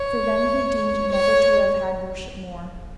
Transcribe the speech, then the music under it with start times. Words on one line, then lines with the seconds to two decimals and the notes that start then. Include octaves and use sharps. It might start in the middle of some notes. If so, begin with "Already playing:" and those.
For then he deemed never to have had worship more.
Already playing: C#5
1.12 C#5